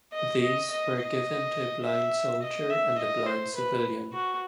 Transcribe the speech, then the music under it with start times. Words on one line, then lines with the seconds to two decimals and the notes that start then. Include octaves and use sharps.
These were given to a blind soldier and a blind civilian.
0.13 D#5
0.41 D#5
0.71 D#5
0.99 D#5
1.84 E5
2.42 D#5
2.70 E5
2.98 D#5
3.26 C5
3.55 B4
4.13 F#4